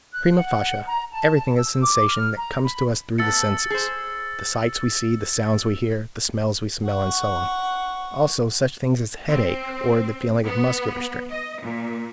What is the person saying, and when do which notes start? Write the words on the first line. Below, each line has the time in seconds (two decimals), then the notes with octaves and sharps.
Prima facie, everything is sensation that comes to us through the senses: the sights we see, the sounds we hear, the smells we smell, and so on; also such things as headache or the feeling of muscular strain.
0.13 F#6
0.36 F#5
0.86 A#5
1.13 A5
1.56 E6
1.82 D6
2.09 F6
2.37 A#5
2.64 B5
3.18 A3 B3 E6 A6 C#7
3.70 G#4 C5
6.86 F#5 C#6
9.30 C4
10.44 B3
11.30 D#5
11.63 A#2